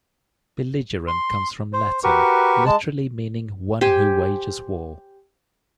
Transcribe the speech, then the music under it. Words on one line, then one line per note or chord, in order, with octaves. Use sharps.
Belligerent comes from Latin, literally meaning "one who wages war".
C6
C5
F#4 G4 A#4 B4 C#6
G#3 A5
G4 C5 G5 G#5